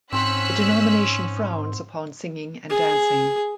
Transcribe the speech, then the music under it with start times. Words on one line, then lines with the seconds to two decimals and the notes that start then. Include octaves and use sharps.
The denomination frowns upon singing and dancing.
0.12 G#2 C4 C#4 C5 F#5 E6 F#6 B6
2.70 G#4